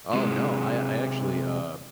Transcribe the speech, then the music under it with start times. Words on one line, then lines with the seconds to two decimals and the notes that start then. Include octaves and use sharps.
Oh, no. I I actually, uh,
0.13 C3 G#3